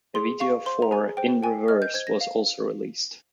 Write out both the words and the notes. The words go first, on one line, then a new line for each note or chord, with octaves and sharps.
A video for "In Reverse" was also released.
G#4 C6
F5 C#6
C5 C6
A#5
G#4 G#5
C5 G5
G5 G#5
D#5 F6
G6
C5 G#6
A#6
F5